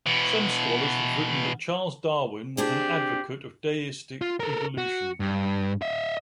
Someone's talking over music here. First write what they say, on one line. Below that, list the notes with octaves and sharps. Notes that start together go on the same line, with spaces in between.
Some scholars have written that Charles Darwin was an advocate of deistic evolution.
B2 E3
C4 D4 G4 G#4
F4
A4 A#4
F#4
G2
D#5 E5